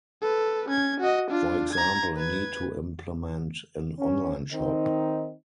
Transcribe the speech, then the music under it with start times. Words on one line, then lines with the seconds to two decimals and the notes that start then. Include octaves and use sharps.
For example, a need to implement an online shop.
0.22 A4 B4
0.69 C#4 G#6
1.00 F#4 D#5
1.31 D4 F4
1.73 A#5 G#6
2.16 B4 G#6
3.99 C#4
4.53 D#3 C4 D#4